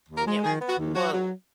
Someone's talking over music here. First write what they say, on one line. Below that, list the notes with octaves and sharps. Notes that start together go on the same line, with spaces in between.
Yeah we well,
D#2
A#4
G#3
D#3 G#4
B3
F#4
D#2
F#3 F#4
F#3